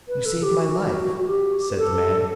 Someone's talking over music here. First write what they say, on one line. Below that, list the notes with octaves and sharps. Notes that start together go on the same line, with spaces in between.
"You saved my life," said the man.
B4
A4
G4
F#4
G4
B4
A4